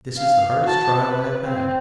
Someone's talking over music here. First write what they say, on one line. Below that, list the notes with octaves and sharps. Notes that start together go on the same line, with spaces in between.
'This is the hardest trial I have had.
F5
F#4 A5
B4
C4